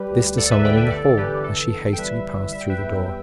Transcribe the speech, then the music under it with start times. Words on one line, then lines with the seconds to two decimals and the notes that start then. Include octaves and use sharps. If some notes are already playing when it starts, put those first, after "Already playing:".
This to some one in the hall as she hastily passed through the door.
Already playing: G3 G4 B4
0.10 D2
0.38 D2 A4 D5
0.51 B4 E5
0.64 D3 D5 G5
0.77 B4 E5
0.90 G1 A4 D5
1.17 E3 G4 B4
1.44 E3 A4
1.71 G1
1.93 G5
1.98 G3 B4 E5
2.26 G3
2.52 G3 E5
2.61 G5
2.69 B4 E5
2.79 E2